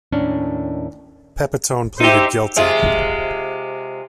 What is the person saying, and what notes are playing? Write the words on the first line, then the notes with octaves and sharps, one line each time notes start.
Pepitone pleaded guilty.
D#2 A2 C#4 D4
D#4 G4 C5 E5
C3 G#3 F4